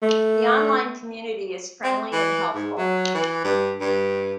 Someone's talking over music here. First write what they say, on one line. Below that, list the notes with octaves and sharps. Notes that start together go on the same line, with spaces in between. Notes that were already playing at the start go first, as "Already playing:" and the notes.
The online community is friendly and helpful.
A3
C4
E3
G#2
F#3
E3
G2
G2